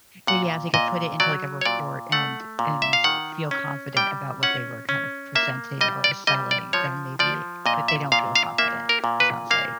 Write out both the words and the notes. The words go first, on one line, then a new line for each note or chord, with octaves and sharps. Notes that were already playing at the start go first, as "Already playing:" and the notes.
Yeah, if they could put it into, like, a report and and feel confident about what they were kind of presenting or or selling, then maybe but they don't feel confident, it sounds like.
A#2 F#5
A#2 D#5
F#3 D5
C#5
A#2 D5
A3 F#5
A#2
E5
F5
D#3 F#5
C#4
G3 G5
C#4 F#5
C#4
A#3 E5
G3 D#5
D5
G3 D#5
D5
F3 C#5
F3 D5
A#2 D#5
E5
A#2 F5
F5
A#3 E5
A#4
A#2
B4
A#3 F5